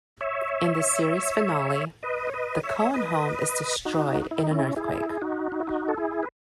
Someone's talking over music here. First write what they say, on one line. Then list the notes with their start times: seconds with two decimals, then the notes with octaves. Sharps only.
In the series finale, the Cohen home is destroyed in an earthquake.
0.21 C#5 E5
2.03 B4 D#5
2.29 C#5
2.34 B4 D#5
2.63 C#5 E5
2.94 B4 D#5
3.85 D#4 F#4
4.31 E4
4.41 D#4
4.51 C#4 E4
4.76 E4 G#4
5.10 G#4
5.22 D#4 F#4
5.52 D#4
5.60 E4
5.67 D#4 F#4
5.88 A4
5.98 E4 G#4
6.23 B4